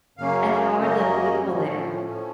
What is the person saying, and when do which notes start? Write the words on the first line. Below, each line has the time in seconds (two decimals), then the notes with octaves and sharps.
And how are the people there?
0.18 F#2 C#3 F#3 A#3 C#4 F5
0.80 F#2 C#3 F#3 A#3 C#4 D#5
1.42 A2 F3 A3 C#4
2.05 A2 F3 A3 C#4